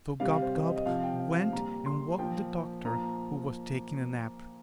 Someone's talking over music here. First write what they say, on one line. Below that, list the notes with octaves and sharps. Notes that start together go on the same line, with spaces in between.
So Gub-Gub went and woke the Doctor who was taking a nap.
C3 G3 F5
C5
D#5
D#5
C3 F3 F5
G5
F5
F5
A#2 G3 A#5
C6
A#2 F3 G5
A#2 F3 A#5